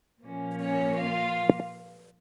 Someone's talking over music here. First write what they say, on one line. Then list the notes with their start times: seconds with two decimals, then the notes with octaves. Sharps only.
Some people said this was because pigs were unclean.
0.22 A#2 F3 A#3 C#4
0.59 C#4 C#5
0.97 F4 F5